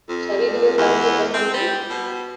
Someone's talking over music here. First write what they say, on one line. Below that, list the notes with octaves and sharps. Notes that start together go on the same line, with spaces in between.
Shall we do a puzzle or something?
F2
E2
C4
G3
B2